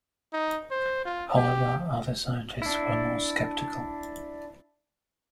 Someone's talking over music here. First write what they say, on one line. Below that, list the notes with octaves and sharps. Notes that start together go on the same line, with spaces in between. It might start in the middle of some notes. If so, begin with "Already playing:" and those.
However, other scientists were more skeptical.
D#4
C5
F4
G4
D4 E4